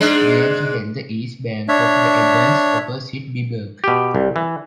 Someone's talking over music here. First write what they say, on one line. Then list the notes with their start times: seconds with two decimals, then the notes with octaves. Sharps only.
Bianchi held the east bank of the Abens opposite Biburg.
0.01 G#2 G#3 D4
1.68 D4 C#5 E5
3.84 B2 G4
4.15 C2
4.36 E3